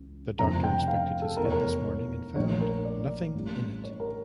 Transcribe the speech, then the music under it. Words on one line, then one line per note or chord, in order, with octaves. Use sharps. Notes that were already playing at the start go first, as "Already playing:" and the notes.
The doctor inspected his head this morning and found nothing in it.
Already playing: C#2 C#3 E3
F1 F2 C#3 F3 A#3 A#5
G5
F5
A4
F1 E2 E3 A#4
C#5
A#4
A#1 A#2 F3 A3 C#5
A#4
D5
A1 A2 G3 A#3
C#5
A#4